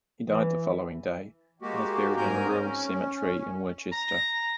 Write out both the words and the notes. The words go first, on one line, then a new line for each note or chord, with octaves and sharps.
He died the following day and is buried in the Rural Cemetery, Worcester.
E3
G#3 A#3 F#4 G4
G#2 C4 A#4 G#5 A#5 G6
C#4
A#5